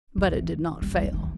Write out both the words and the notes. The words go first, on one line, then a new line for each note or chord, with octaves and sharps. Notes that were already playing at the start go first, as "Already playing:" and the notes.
But it did not fail.
E3
G3
G3
F#3
E3